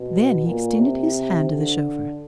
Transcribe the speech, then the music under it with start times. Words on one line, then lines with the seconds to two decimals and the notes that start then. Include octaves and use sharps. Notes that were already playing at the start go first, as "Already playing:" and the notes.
Then he extended his hand to the chauffeur.
Already playing: B2
0.45 A#2
0.79 C3
1.49 D3